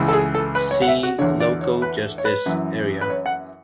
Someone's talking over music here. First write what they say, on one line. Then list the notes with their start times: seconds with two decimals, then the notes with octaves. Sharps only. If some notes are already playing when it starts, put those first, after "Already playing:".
See: Local justice areas.
Already playing: C#2 C#3 E3
0.08 A4
0.13 G#4
0.35 A4
0.55 B4
0.71 C#5
0.82 F#5
0.88 E5
1.03 F#4
1.18 D3 C#5
1.22 E2
1.40 D5
1.61 C#5
1.82 B4
2.18 C#5
2.25 B4
2.46 F#2 E3
3.01 B4
3.10 C#5
3.26 F#5